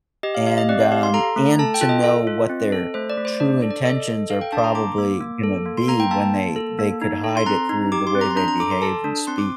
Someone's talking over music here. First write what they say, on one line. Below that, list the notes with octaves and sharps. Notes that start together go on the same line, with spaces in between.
and, um, and to know what their true intentions are probably gonna be when they they could hide it through the way they behave and speak.
G4 D#5
F5
G4 F5
D#5
C4 D5
F5
G4 F5
C6
A4 A#5
A3
A4 A5
G5
F4
D#5
A4
F4
C4
A4
A3 C5
D5
A3
C5
D4 D5
A4
D5
A4 D#5
A4
A4 F5
G5
D4 A5
C6
A#5
A#3 D6
A#3
A#3
A4
A#3
C6
A#3 A#5
G5
A#3 A5
A#3
A4
A#3
D#4
A4
C6
C4 A#5
D#4
G4 D6
C6
C4
A#5
C6
D4 A#5
A#5
A4 D6
C6
A4 A5
D4
C4 C6
D6